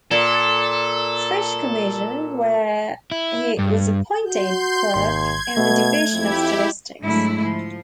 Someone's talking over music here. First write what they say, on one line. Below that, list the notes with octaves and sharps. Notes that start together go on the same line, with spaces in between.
Fish Commission, where he was appointed clerk in the Division of Statistics.
A#2 A4
E4
G2
F#4 C6 G6
G#1 D#2 C6 G#6
B2 A3
F2 E4 G4
G#2 D3 F#3 G#3 A3 E4
F3